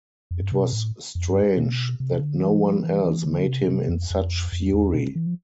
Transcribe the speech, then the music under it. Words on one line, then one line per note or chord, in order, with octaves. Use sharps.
It was strange that no one else made him in such fury.
F2
G2
C3
B2
A2
F2
G2
B2
C3
D3
E3
F3
E3
E3
D3
C3
C3
F2
F2
F2
E2
B2
E3
F3